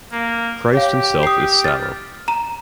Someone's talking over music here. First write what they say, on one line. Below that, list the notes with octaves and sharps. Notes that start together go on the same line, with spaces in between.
Christ himself is sallow.
A#3
G4 C#5 F5
D#6 C7
F6 A6
A#5 E7